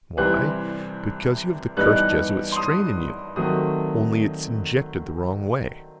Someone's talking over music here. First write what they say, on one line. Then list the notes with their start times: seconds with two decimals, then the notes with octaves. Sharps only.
Why? Because you have the cursed jesuit strain in you, only it's injected the wrong way.
0.17 C2 C3 E3 G3 C4 F#6
1.77 G2 E3 G3 B3 D#4 F#6
1.96 F#6
2.52 C6
2.56 D#6
3.36 D#3 F#3 A3 C4 D#6